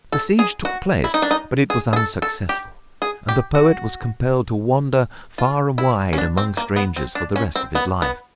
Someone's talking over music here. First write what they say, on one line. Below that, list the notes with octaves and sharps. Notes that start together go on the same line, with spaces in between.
The siege took place, but it was unsuccessful, and the poet was compelled to wander far and wide among strangers for the rest of his life.
A4
G#4
F#4
E4
D#4
D4
D#4
G#4
G#4
A4
A4
G4
G#4
G4
F#4
F4
E4
C#4
D4
C4
A#3
B3
C4
D4
C#4
C4
B3
B3